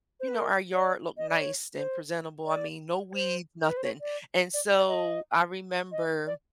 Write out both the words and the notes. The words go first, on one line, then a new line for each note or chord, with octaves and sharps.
you know, our yard looked nice and presentable. I mean, no weeds, nothing, and so, I remember,
C5
B4
A#4
D5
D#5
D5
C#5
C5
D5
C5
A#4
B4
C5
C#5
D5
D5
D5
D#5
D#5
D5